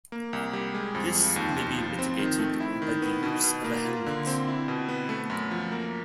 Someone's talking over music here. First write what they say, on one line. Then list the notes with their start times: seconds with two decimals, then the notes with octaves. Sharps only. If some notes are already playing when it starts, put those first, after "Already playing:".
This may be mitigated by the use of a helmet.
0.12 A#3
0.33 C2
0.53 G3
0.74 G#3
0.95 F2
1.15 F3
1.36 D#2
1.56 D#2
1.78 F3
1.99 C4
2.19 D#3
2.39 A3
2.60 E4
2.82 D#3
3.02 B3
3.23 B2
3.44 B2
3.64 A#3
3.85 F4
4.06 D3
4.27 C4
4.48 E4
4.68 B2
4.89 B3
5.09 A3
5.30 F#2
5.51 F3
5.72 A#3